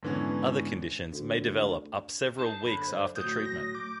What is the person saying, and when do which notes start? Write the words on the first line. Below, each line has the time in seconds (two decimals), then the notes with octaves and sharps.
Other conditions may develop up several weeks after treatment.
0.03 G#2 D3 E3 B3 C#4
1.12 D2
2.39 D#4 A5
2.63 F#2 D3 B5
2.88 C5
3.16 D2 A2 F#3 D#6 G6
3.45 A#6
3.75 D6 G6